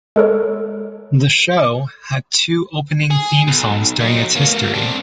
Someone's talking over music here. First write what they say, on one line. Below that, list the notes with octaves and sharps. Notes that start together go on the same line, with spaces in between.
The show had two opening theme songs during its history.
G#3 A4 A#4 C#5
G#4
B1
F#3 D#4
A3 A#3
C4 D4